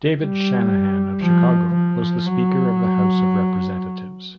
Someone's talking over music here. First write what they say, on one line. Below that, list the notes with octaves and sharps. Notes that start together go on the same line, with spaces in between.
David Shanahan of Chicago was the Speaker of the House of Representatives.
G3
F3
F3
F#3